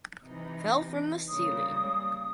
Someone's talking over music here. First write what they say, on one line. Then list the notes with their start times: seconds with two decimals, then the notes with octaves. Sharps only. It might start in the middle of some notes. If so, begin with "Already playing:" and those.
Fell from the ceiling!
0.23 C3 E3 D#4
1.28 C#3 G3 A#3 D#6